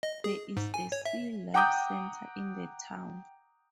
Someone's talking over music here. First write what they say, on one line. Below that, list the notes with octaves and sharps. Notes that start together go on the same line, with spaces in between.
There is a Sea Life Centre in the town.
D#5
G#4
G#2
G#5
C#5
E5
F#5 G5 A#5 D6 D#6 G6